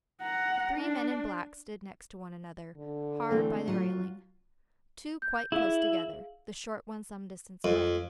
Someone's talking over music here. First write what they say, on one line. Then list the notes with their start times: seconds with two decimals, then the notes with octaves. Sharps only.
The three men in black stood next to one another hard by the railing, two quite close together, the short one some distance away.
0.22 F#5 A#5
0.77 D4
2.77 D3
3.31 E3 A3 C4
3.68 F#3 F4
5.22 G6
5.52 E4 G#4 F5
7.64 F2